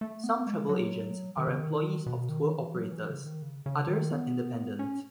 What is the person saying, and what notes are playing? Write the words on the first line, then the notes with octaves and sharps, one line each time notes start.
Some travel agents are employees of tour operators, others are independent.
A3
B3
G#3
F#3
D#3
C#3
D#3
B2
D#3
E3
F#3
E3
C#3
D#3
C#3
C#3
D#3
B3
C#4